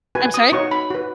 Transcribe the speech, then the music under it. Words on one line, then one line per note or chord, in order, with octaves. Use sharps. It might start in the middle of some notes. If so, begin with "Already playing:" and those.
I'm sorry?
F#4 B4 G#5
D#6
D#4 F#4 C#5 C#6
B5
F#4 B4